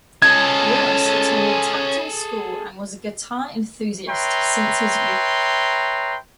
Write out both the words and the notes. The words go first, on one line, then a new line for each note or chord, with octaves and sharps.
Willis attended Tapton School and was a guitar enthusiast since his youth.
C#4 G#4 A4 D#5 G#6
B4 C#5 E5 G5 A#5 C6